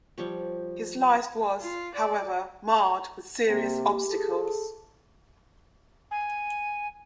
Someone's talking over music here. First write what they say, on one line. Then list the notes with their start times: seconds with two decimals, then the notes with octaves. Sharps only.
His life was, however, marred with serious obstacles.
0.18 F3 G3 C#5
1.61 F4
1.95 D5
3.47 C3 A#3 G4
4.08 G#4 A4
6.11 G#5